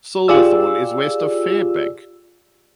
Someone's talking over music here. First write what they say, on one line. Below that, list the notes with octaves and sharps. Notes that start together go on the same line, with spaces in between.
Silverthorn is west of Fairbank.
F4 G4 G#4 D5 E6